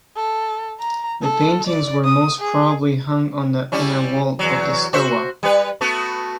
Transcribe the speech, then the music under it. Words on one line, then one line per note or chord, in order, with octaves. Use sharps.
The paintings were most probably hung on the inner wall of the stoa.
A4
A#5
A4
D5
D#6
G#4
G3 C#4 E4
E2 F#3
F#4 C5 E5
G3 B4
A3 B3 F#4